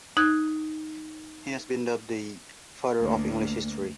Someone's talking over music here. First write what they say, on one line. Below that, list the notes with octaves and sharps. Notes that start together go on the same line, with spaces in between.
He has been dubbed the "Father of English History".
D#4 F#6 G#6
D2 A#3